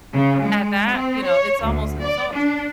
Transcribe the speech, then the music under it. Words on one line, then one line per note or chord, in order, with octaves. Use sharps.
at that, you know, it's almost insulting.
C#3
G#3
C4
C#5
D2
D5
D4